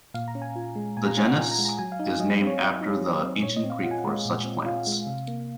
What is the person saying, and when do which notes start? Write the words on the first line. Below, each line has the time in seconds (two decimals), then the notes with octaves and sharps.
The genus is named after the Ancient Greek for such plants.
0.14 A#2 F5
0.28 A#5
0.35 C#4
0.42 G#5
0.56 F4
0.76 G#3
0.97 A#2 G#5
1.07 A#5
1.17 C#4 G#5
1.27 F#5
1.37 F4 G#5
1.51 A#5
1.58 G#3
1.65 A#5
1.79 F#3 G#5
1.92 F5
1.99 D#4
2.07 F5
2.19 F#3 D#5
2.40 C4
2.47 C#5
2.61 F#3
2.81 D#4
3.01 F#3
3.23 C4
3.43 A#2 C#5
3.56 D#5
3.64 C4
3.70 F5
3.84 F4 F#5
3.91 G#5
3.98 F#5
4.04 G#3
4.25 A#2
4.45 C4
4.66 F4 F5
4.87 G#3
5.07 C3
5.28 A#3